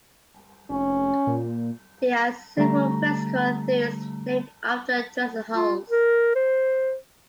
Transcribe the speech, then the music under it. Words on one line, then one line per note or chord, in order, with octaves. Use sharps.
There are several physical theories named after Dresselhaus.
F1 C#4
A#2
D3 G3 A3 A#5
F4
A#4
C5